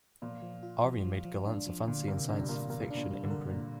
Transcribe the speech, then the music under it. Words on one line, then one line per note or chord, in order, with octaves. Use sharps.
Orion made Gollancz a fantasy and science fiction imprint.
A#2 F3
F3
F4
F3
F3
F3
D4
F3
A#2 D3
C3 A#4
C3 D4
G2
A#2 A#4
A#2 A#4
D4
A#2
G3
D3
A#4
A#2